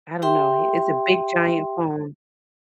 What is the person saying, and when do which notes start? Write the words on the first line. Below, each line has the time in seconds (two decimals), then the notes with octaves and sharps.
I don't know h it's a big giant phone.
0.22 G4 E5 G5 C6